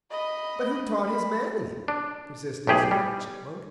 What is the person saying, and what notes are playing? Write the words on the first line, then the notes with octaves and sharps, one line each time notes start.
"But who taught his mammy?" persisted Striped Chipmunk.
D#5 B5
B5
D4
B1 A2 G4 G#4
G3